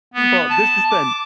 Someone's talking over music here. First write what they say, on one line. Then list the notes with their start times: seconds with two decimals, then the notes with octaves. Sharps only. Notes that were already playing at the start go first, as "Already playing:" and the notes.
Well, this has been
0.14 B3
0.50 A5
0.90 D6